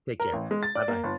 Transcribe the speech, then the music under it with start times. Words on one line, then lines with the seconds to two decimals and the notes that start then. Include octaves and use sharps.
Take care. Buh-bye.
0.20 A#4
0.33 A1
0.51 G#3
0.63 A6
0.75 D5
0.88 A#3
1.04 G1